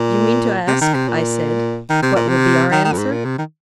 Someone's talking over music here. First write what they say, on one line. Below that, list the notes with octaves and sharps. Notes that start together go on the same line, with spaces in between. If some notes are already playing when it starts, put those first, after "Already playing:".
You mean to ask, I said, what will be our answer?
Already playing: A#2
C3
D#3
C3
A#2
D#3
C3
A#2
C3
D#3
D#3
F2
G#2
A#2
C3
D#3